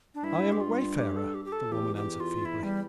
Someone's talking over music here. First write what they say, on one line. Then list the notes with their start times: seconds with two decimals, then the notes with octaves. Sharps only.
"I am a wayfarer," the woman answered feebly.
0.15 D4
0.23 G2 E4
0.52 G4
0.60 F4
0.98 G4
1.16 A4
1.34 G4
1.45 G4
1.52 A4
1.71 E2 G4
1.96 G4
2.20 F4
2.45 E4
2.63 G3